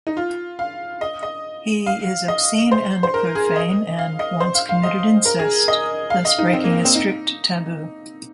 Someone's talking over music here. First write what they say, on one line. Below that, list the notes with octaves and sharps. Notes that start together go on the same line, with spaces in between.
He is obscene and profane and once committed incest, thus breaking a strict taboo.
D#4
F4
F5
D#5
D#5
F5
D#5
C5
C5
A#4
G#4
D#5
F5
D#5
C5
F5
F5
D#5
A#4
G#4
D#5
F5
D#5
D#4
C4
A#3
C4
D#4